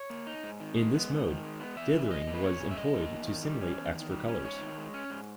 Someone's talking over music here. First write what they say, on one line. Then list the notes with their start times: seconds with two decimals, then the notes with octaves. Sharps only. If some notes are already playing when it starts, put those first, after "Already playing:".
In this mode, dithering was employed to simulate extra colors.
Already playing: C#5
0.10 A#3
0.27 D#4
0.43 G#2
0.60 D#3
0.76 G#3
0.93 B3
1.10 G#2
1.27 D#3
1.43 G#3
1.60 B3
1.76 E2 E5
1.93 C#3
2.10 G3 D#5
2.27 A#3
2.34 B4
2.44 E2 C#5
2.60 C#3
2.71 E5
2.76 G3 D#5
2.94 A#3
3.11 E2
3.27 D#3
3.43 G3
3.61 C#4
3.78 E2
3.94 D#3
4.11 G3
4.28 C#4
4.44 G#2 C#5
4.61 D#3
4.78 G#3
4.94 C#4
5.10 G#2